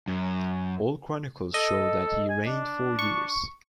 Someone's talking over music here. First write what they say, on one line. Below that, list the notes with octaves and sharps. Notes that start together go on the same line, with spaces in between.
All chronicles show that he reigned four years.
F#2
A4 D#5
G#5
D4
C#6